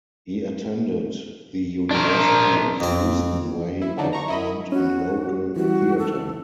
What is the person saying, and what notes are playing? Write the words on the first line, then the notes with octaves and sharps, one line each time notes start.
He attended the University of Houston, where he performed in local theatre.
D4 A#4
F2 C4
E4
D3 F#3 D4 D#4
A#5 C#6
E4 D#5 B5
C#4 F#4
E3 G3 F#4
A4